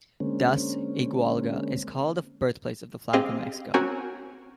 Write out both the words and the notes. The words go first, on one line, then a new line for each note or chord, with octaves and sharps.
Thus, Iguala is called the birthplace of the Flag of Mexico.
D3 G#3 A#3 C4 C#4
C4 G4 G#4 D#5 F5
C4 C#4 F#4 A#4 G5 G#5